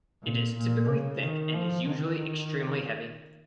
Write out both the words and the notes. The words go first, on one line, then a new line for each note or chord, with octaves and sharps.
It is typically thick and is usually extremely heavy.
A#2
A#2
C#3
D#3
F3
D#3